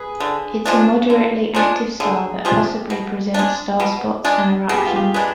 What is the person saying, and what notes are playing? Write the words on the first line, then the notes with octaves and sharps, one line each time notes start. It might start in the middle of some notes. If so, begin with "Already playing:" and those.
It’s a moderately active star that possibly presents star spots and eruptions.
Already playing: G#4 B4
D3
F3 G#3 D4
D3
F3 G#3 D4
D3 G#4
F3 G#3 D4 G4
B2
G#3 D4
B2
G#3 D4
B2 G#4
G4
F4
G4
G#3 D4 B4